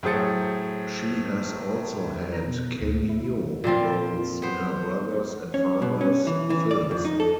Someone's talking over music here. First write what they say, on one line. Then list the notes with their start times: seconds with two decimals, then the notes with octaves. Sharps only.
She has also had cameo roles in her brothers' and father's films.
0.03 A2 F#3 G#4 C5 A6 C#7
2.33 A#5
2.48 B2
2.81 D2
3.09 E4
3.64 A#2 F3 C4 F4
4.42 B3 C5
5.54 C#4
5.82 B2
6.01 C#4
6.27 E3
6.50 E3
6.71 D5
6.91 F2
7.05 D#4
7.20 A4